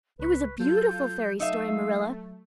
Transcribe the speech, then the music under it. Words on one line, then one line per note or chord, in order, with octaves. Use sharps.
It was a beautiful fairy story, Marilla.
C#2 B4 C#6
F#3 F4 A4 G6
A3 D#4 E5 F5 E6